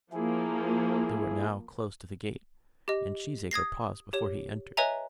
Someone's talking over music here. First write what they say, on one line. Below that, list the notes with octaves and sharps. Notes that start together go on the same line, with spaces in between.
They were now close to the gate, and Cheesacre paused before he entered.
F3 A#3 E4 G#4
G4 D#5
D#6 G#6 A#6 C7
G4 C#5 E7
B4 C#5 D#5 E5 G#5 A#5